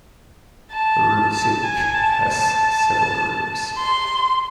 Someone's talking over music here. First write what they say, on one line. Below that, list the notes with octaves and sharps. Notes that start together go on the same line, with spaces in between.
The root "sidq" has several derivatives.
A5
A5
G#5
A5
A5
C6